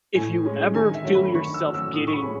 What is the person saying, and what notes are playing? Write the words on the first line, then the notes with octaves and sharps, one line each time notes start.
if you ever feel yourself getting
A2 G#5
G#3 C#4
D#3 G#5
E5
F#3 A3 C#4
B5
B5
D#3 C#6
E6
F#3 A3 C#4
E6
A2 D#6
C#6
B5
G#3 C#4